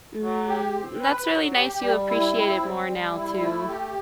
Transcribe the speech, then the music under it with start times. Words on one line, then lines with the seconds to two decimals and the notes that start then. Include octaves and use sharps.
Mm. That's really nice you appreciate it more now too.
0.22 F#3
0.48 G4
0.75 C4
1.01 B4
1.28 F#3
1.55 G4
1.82 G3
2.08 E4
2.35 C4
2.62 G3
2.88 G3
3.15 E4
3.42 A3
3.69 G4